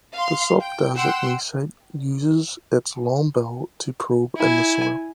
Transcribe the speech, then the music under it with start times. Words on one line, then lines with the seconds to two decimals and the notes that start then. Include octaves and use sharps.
The subdesert mesite uses its long bill to probe in the soil.
0.14 F5 C6
0.61 G5
0.96 F#5 G5 C6 E6
4.37 E4 G#5